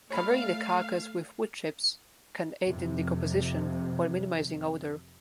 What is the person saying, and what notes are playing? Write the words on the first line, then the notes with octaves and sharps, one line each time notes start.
Covering the carcass with wood chips can aid in decomposition while minimizing odor.
A3 C#5 F5 B5
F2 C3